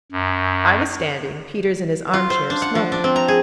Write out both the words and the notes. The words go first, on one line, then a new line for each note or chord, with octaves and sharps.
I was standing; Peters in his arm-chair, smoking.
F#2
F4
C5
D4
F#5
F3
D4
C4
A#5
G#4